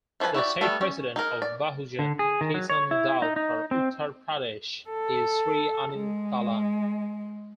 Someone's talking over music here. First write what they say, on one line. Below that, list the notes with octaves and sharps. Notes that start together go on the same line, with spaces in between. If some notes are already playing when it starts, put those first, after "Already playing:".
The state president of Bahujan Kisan Dal for Uttar Pradesh is Sri Anil Talan.
E3 F3 E4 B4 G#5
E4 F#4 G4 D5
G3 A3 B3 A4
C#4
D#4 G#4 A#4
D5
D3
G#4
D#3
F#3
C#5
E4
D#4
D#4
C4
A4
G#3